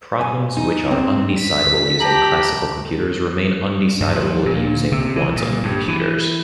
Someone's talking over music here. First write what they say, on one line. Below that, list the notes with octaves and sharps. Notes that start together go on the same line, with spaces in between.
Problems which are undecidable using classical computers remain undecidable using quantum computers.
G#5
D#4
C4
B6
G4 A5 A#5 F#7
G2
F3
A#2
C3
E3
A#2
G2
E3